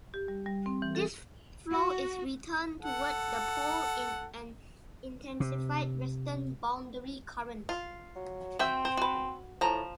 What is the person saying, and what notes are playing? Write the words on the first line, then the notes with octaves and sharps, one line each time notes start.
This flow is returned towards the pole in an intensified western boundary current.
G4
G3
G3
C4
E3
A4
F#4
A4 F#5
C3
F4
F#3
C4 F#4 E5 G5
C5
F#4 B4
A2 F3 A#5